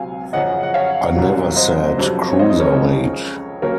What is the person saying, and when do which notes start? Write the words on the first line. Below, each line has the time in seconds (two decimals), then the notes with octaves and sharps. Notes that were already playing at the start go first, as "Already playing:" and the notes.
I never said cruiserweight.
Already playing: C#2 C3 F#3 C4 F5 G#5
0.33 F#2 C#3 F3 D#5 F#5
0.63 F#5
0.74 C#5 F5
1.16 C2 C3 F#3
1.56 C5 D#5
1.98 F2 C3 F#3 C4
2.30 C#5
2.39 C5 D#5
2.50 D#5
2.60 A#4 C#5
2.81 C#2 C#3 F3
3.62 C#3 F#3 A#3 A#4 C#5